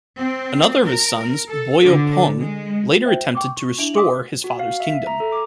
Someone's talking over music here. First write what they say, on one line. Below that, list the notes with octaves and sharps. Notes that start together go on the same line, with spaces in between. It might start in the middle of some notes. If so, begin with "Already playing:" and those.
Another of his sons, Buyeo Pung, later attempted to restore his father's kingdom.
C4
A#4
A4
D3
G#3
C5 E5 G5
G5 C#6 D6
C#6
D4 E4 E5 D7 F7 F#7
E5 C6 D6 D#6 B6
F#4
F5
E5
E5
A#5
A4
D6